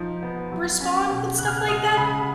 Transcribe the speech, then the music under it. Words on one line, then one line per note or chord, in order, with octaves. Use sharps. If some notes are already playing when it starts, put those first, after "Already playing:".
respond with stuff like that.
Already playing: F3 D#4
B3
F#3
C#4
B2
C#3 F#6
F6
F#6
G#3 D#6
C#3 B5